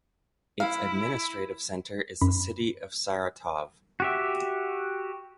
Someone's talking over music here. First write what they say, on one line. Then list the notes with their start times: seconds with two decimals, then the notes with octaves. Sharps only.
Its administrative center is the city of Saratov.
0.60 E4 F5
2.21 F#2 B5
4.00 F#4 G4 E5